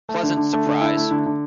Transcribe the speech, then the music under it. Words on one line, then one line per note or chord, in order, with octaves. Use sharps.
Pleasant surprise!
A3
D3
D3
A3
D3
E4
A3
D3
D3